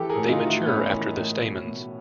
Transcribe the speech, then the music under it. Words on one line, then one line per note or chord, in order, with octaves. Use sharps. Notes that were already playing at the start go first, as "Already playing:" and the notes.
They mature after the stamens.
Already playing: E3 G4 A4
G#4 A#4
A2
F#4
D#4 F4
E3
E4 F#4
A2 B3 C#4
E3
A2
B2
B2